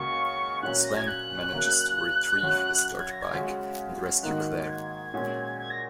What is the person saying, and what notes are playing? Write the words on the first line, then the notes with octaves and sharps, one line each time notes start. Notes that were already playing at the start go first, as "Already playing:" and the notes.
Swann manages to retrieve his dirtbike and rescue Claire.
Already playing: C#2 C#3 A#3 F#4 C#6
A#2 F#3 C#4 F#6
A#6
G#6
F#6
C#3 F#3 A#3
F#2 F#3 C#4 F#4
F#6
G#6
A#6
G#6
C#3 G#3 C#4 F#4
G#2 D#3 A#3 D#4 F#4 F#6
G#6
A#2 G#3 C#4 F#4
G#6
A#6